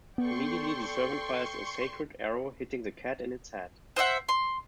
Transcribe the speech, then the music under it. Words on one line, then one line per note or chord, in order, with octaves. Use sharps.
Immediately the servant fires a sacred arrow, hitting the cat in its head.
B3 A4 D5 G5 C6 C#6
C5 D#5 E5 F#5
C6